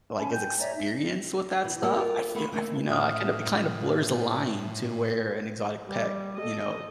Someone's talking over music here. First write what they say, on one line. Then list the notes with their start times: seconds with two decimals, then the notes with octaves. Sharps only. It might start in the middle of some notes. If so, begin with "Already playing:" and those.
like, is experienced with that stuff, I feel I f you know, I kind of it kind of blurs the line to where an exotic pet, you know,
0.18 C#4 G#5 A5 B5
0.33 G5 G#5 G6
0.59 C#5 D5 E5 A#5
0.76 D#4 E5
1.64 B2 E3
1.83 G3 A#3 B3 B4 A5
1.94 F4 A4 A#4
2.35 A3 B3 F4 B4
2.52 C#3 A3 A#3 D#4 E5
2.89 A2 E5 D#6 F6
5.88 G3
6.37 A4 D#5